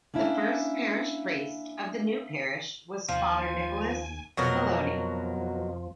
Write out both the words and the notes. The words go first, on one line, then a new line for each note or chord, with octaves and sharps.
The first parish priest of the new parish was Father Nicholas Molony.
A#3 C#4 D4 E4
D#2 F3 G#5
F2 B2 F3 F#3 A#4